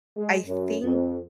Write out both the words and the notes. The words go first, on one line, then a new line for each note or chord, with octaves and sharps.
I think
G#3
F#2
F2